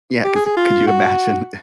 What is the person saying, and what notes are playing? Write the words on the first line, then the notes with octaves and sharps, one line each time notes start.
Yeah, 'cause could you imagine
G4
G#4
G#4
F4
F#4